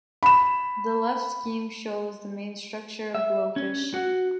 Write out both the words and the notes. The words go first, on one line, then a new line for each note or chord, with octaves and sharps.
The left scheme show the main structure of Blowfish.
B5 E7
E5
C#4
F#4